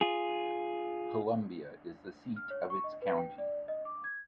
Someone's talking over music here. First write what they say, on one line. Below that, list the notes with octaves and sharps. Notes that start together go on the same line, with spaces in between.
Columbia is the seat of its county.
F4 G#4
F6
C#5
C#6
D#5
B4
G5
D5
D#5
D6
G#6